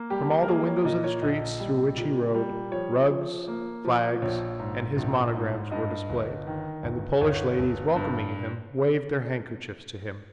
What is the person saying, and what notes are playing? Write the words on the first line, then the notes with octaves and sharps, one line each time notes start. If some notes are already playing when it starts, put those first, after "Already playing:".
From all the windows of the streets through which he rode, rugs, flags, and his monogram were displayed, and the Polish ladies, welcoming him, waved their handkerchiefs to him.
Already playing: A#3
G3 G4
A#4
A#3 G#4
C#5
A#2 D#5
C#5
A#1 D#5
G3
A#2
G3
F3 C#5
F3
A#3
F3
A#1 C#5
G#2
A#1
G#2
G2 D#5
G1
D#3
G1
G1 C#5
G1
G2